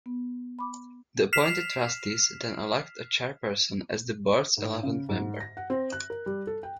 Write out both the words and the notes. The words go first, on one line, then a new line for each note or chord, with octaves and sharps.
The appointed trustees then elect a chairperson as the Board's eleventh member.
B3
B5 D6
F6 B6 C7 E7 F7
G#2
C#3
G#2
A#6
F#5
C4
F#6
A#4
G3
A4
G5